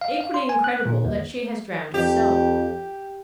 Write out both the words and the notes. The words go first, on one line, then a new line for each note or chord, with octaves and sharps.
Equally incredible that she has drowned herself.
F5
F5
C6
G#5
F#6
A#2
D#2
F2 G4